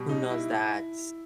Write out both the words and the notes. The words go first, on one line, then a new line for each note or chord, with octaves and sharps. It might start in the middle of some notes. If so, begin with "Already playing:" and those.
who knows that
Already playing: B2 G3
D#4
E4